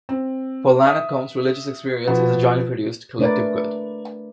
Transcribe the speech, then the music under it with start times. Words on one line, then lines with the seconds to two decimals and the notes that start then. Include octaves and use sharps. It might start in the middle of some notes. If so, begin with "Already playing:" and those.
For Iannaccone's religious experience is a jointly produced collective good.
0.09 C4
0.86 E5 D#6
2.07 B2 F3 B3
3.19 A3 D4 A#4 B4 D5